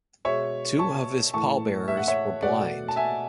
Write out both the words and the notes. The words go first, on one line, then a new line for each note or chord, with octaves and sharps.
Two of his pallbearers were blind.
B2 G#3 C#5 E5
A5 C#6
A2 E3 A3 A5 C#6
E5
F#5
C#5 E5
B2 A3 D5 F#5
A5
E5 G#5